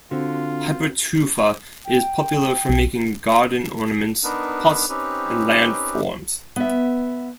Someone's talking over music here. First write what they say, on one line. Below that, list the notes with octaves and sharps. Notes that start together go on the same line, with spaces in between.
Hypertufa is popular for making garden ornaments, pots and land forms.
D3 C4 F4 F#4
G5
B1
B3 D4 D#4 A#4 B4
C4 C#4 D#4 G4 B4
B3 E5